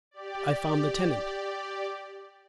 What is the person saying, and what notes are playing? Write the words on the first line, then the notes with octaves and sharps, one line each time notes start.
I found the tenant.
G4 D5